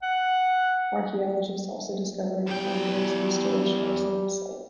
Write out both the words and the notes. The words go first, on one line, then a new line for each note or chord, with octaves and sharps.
Archaeologists also discovered anchors and storage jars near the site.
F#5
E2 G3 G5